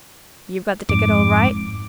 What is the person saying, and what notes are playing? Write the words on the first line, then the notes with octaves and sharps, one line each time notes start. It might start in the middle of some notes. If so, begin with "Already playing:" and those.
"You've got the ticket all right?"
F2 G#2 D6